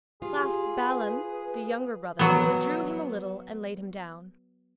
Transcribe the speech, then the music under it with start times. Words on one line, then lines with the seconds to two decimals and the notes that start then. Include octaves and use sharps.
At last Balan the younger brother withdrew him a little and laid him down.
0.22 F4 G4 G#4
0.85 B4
2.19 F#3 B3